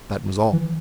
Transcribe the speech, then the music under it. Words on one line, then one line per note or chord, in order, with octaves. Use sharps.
That was all.
E3